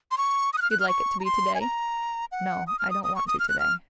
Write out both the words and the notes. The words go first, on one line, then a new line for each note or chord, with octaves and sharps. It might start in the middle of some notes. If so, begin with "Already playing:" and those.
You'd like it to be to-day? No, I don't want to to-day.
C6
C#6
D#6
F#6
F6
F#6
F6
C#6
A#5
C6
G#5
A#5
F#5
D#6
F6
D#6
D#6
C#6
D#6
F6
F#6
F6